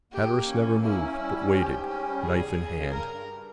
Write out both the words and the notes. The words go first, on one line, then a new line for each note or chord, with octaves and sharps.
Hatteras never moved, but waited, knife in hand.
A#3 G4
A#3
E3 C#4
A#3
C#4 E4
C#4
G3 E4
C#4
G#2 G4
G#2
C#4
G3
C#3 G#4
E2
E2
C#3
G2 A#4
G2
G2